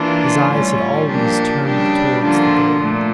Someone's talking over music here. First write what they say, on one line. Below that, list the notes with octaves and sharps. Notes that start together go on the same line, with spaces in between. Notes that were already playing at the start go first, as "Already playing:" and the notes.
His eyes had always turned towards the great.
Already playing: E3 A#3 D4 F4
A2 G3 C#4 F4
A#2 F3 A#3 D4 G4
C#3 G3 D4 G4
D3 F3 A#3 D4 F4
A#2 A3